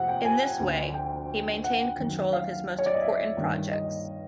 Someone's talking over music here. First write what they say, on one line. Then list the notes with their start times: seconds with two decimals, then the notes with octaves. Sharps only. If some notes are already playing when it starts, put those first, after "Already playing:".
In this way, he maintained control of his most important projects.
Already playing: F2 C3 F#5
0.08 G5
0.25 G#5
0.60 D2 D3
0.94 G5
1.64 F#5
1.98 F#2 D#3
2.33 F5
2.79 C#5
2.86 D5
2.94 D#5
3.02 E5
3.37 G2 D#3
3.71 D#5